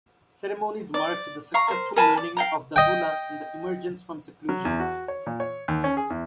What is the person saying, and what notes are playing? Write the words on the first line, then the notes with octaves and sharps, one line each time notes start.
Ceremonies marked the successful learning of the hula and the emergence from seclusion.
D5
F5 A#5 C#6
A#4 C5
A#4 G#5 A5 B5
D5
F5 G5 A#5
D#5 G5
F#3
E2
F#4
C#5
A#2
C#5
D#2
C#4
G#4
E2